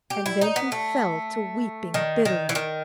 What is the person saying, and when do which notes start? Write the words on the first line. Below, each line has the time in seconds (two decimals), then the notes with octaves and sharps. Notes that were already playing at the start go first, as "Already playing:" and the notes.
And then he fell to weeping bitterly.
0.10 G4
0.26 E4
0.41 D#4
0.56 B3
0.72 A3
1.94 D#3
2.25 D#3
2.49 E3
2.55 D#3